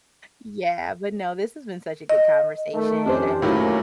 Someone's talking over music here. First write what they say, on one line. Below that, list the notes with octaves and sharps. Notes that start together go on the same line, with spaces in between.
Yeah. But no, this has been such a good conversation. I mean,
D#5
D#3 A3
F2 D#3 C#4 D4 G4 C5
A2 D#3 F#3 A#3 C#4